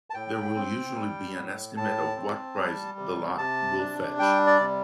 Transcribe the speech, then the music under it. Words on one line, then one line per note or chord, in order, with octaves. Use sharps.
There will usually be an estimate of what price the lot will fetch.
A5
A2 G5
C4
G3
A2
A2 A5
C4
G3
C3
C3 A5
D4
G3 G5
D5
C3